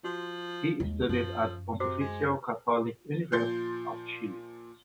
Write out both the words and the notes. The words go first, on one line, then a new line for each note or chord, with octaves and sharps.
He studied at Pontifical Catholic University of Chile.
F3 F#4
D#2 G#3
F#2 F3
C3 F#4 C5 D6
G#3
A#2 F3 C6 G6 A6